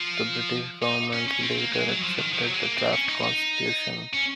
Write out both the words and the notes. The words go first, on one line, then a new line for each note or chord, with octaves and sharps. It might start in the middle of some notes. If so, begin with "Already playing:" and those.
The British Government later accepted the draft constitution.
Already playing: F3
D#4
C#4
C#4
C4
A#3
G#3
F#3
F3
D#3
F3
F#3
G#3
A#3
C4
C#4
D#4
D#4
C#4